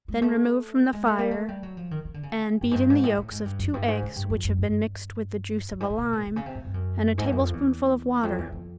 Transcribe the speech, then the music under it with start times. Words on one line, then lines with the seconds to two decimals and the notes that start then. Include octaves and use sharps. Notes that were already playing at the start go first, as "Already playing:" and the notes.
Then remove from the fire and beat in the yolks of two eggs which have been mixed with the juice of a lime and a tablespoonful of water.
0.08 G#3
0.22 A3
0.93 G#3
1.07 A3
1.18 A#3
1.31 A3
1.48 G3
1.63 F#3
1.77 F3
1.91 D#3
2.05 D#3
2.14 D3
2.23 C#3
2.61 G2
2.71 G#2
2.75 G2
2.90 G#2
3.03 A2
3.18 A2
3.32 G#2
3.46 G2
3.59 F#2
3.74 G2
3.88 G#2
4.02 C#3
4.16 G2
4.30 F2
4.45 F#2
4.58 G2
5.71 G2
5.80 G#2
5.90 A2
5.98 B2
6.13 A#2
6.27 C3
6.36 C#3
6.46 C3
6.55 G#2
6.65 G2
6.74 F#2
7.18 G#2
7.25 G2
7.32 F#2
7.39 F2
7.53 E2
8.23 F2
8.38 E2
8.52 F2